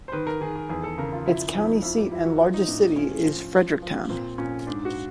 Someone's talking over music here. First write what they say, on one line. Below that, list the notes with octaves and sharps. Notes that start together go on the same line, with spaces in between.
Its county seat and largest city is Fredericktown.
C5
D#3 B4
A#4
D#3 G#4
G#4
E2 G#4
A4
C#3 A#4
F4
F3 E4
F2 D#4
F2 E4
G4
F3 E4
F#4
F3 E4
D#4
A2 D4
F3 C#4
F3
F3
F3
A#2 C4
A#2 C#4
G#2 D4
F#4